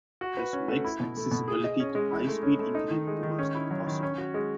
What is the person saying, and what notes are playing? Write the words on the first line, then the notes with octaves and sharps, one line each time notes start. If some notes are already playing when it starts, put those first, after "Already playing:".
This makes accessibility to high speed internet almost impossible.
F#4
B4
C#4
A3
E4
B2
A3
B2
G#4
D#5
C#4
G#3
E4
A3
C#4
A3
D#4
D#3
G#3
D#3
C#4
E4
F#3
D#3
C#4
F#4
G#3